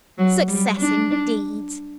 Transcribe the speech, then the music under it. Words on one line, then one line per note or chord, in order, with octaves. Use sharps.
Success indeed!
F#3
G3
D4